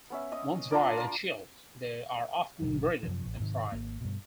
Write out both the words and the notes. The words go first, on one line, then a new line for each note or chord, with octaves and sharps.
Once dried and chilled, they are often breaded and fried.
B3 C#4 E5
D#5 D#6
D4 F4 A#4 D5
F4 A#4
G#1 B2 D3 F#3
F#2 C3 F3
A1
G#2 C3 D#3
G#1 A#3
G2 B2